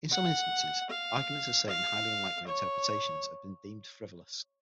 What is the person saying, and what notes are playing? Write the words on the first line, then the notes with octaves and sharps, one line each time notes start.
In some instances, arguments asserting highly unlikely interpretations have been deemed frivolous.
F#5
F5
F5
C#5